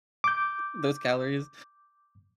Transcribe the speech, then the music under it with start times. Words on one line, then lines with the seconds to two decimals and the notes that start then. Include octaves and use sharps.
Those calories,
0.24 D6 G6